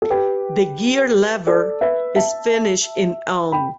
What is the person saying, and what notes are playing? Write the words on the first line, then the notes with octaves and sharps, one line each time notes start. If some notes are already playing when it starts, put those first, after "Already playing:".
The gear lever is finished in elm.
A4
G4 B4
A4 D5
B4 E5
E5 A5
G5 B5